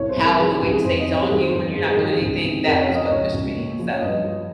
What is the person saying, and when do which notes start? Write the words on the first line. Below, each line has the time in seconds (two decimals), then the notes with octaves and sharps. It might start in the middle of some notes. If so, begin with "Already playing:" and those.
how the weight stays on you when you're not doing anything, that was what pushed me, so
Already playing: C2 C#5
0.09 C5
0.16 C2
0.24 A#4
0.39 F3 G#4
0.54 G4
0.62 C#2
0.69 G#4
0.84 F2 C5
0.99 D#5
1.07 F2
1.14 C#5
1.22 G4
1.30 D#3 G#4
1.40 C5
1.51 G2 C5
1.75 G2 G#4
1.86 G#4
1.97 D#3 G4
2.08 G#4
2.21 C#2
2.43 C3
2.65 F2 A#4
2.81 C#5
2.89 F3
2.95 D#5
3.10 C#2 C#5
3.33 C#2
3.56 A#2
3.79 F3
3.90 C#5
4.01 G2 D#5
4.24 F3